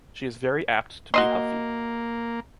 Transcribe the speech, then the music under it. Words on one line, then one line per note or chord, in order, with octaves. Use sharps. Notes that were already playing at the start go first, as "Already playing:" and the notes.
She is very apt to be huffy.
A#3 F#4 D#5 C6